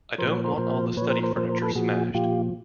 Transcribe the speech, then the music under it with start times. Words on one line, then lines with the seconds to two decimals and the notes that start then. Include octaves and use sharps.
I don't want all the study furniture smashed.
0.18 A#2 F3 A#4 C5
0.31 B4 C#5
0.44 A#4 C5
0.57 A#2 F3 A#4 C5
0.97 A#2 B4 C#5
1.02 F3
1.10 A#4 C5
1.23 A#4 C5
1.36 A#2 F3 A#4 C5
1.49 A#4 C5
1.62 A4 B4
1.75 A#2 F3 F#4 G#4
2.14 A#2 F3 F4 G4